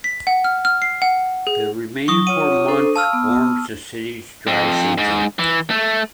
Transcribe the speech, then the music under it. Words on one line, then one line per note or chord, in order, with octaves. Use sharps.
The remaining four months forms the city's dry season.
B6
F#5
F6
F6
C7
F#5
G#4
F#3 C#6 D#6
F4 C#5 F#5 D#7
D4 A4 C5
F5 A5 E6 F6
B3
F2
G#2
E3
A3